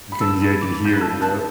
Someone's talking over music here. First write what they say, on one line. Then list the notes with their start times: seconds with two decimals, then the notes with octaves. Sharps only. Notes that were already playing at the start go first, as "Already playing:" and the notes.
you can yeah, I can hear it, yup.
0.12 B5
0.21 A5 E6
0.41 B5
0.61 D6
0.85 G6
0.93 B5 F#6
1.01 A5 E6
1.21 A5 F#6